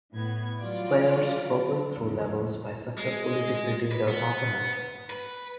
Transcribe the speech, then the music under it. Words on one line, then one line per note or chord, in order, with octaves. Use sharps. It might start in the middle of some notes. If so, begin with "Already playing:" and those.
Players progress through levels by successfully defeating their opponent.
A2 B3 G#6
E3 F#3 G3 F4 D5
E2 G2 C#3 F3
G#3
B4
B3
B4